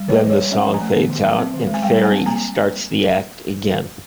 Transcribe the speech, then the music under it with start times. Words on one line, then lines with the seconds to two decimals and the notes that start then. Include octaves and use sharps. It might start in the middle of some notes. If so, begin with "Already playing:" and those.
Then the song fades out and Ferry starts the act again.
Already playing: G3
0.08 A#3 B4 C#5
0.14 D#5
0.19 E3 C5 D5
0.30 C#5 D#5
0.37 G3
0.51 C#4 D5 E5
0.66 F3
0.74 G#5 A#5
0.81 A3
0.96 B3
1.10 D#3
1.24 F#3
1.38 C4
1.54 D#3
1.67 G#3
1.74 G#5
1.82 G3 F5 G5
1.97 G3
2.04 F#5 G#5
2.11 C4
2.26 A#3 G#5 A#5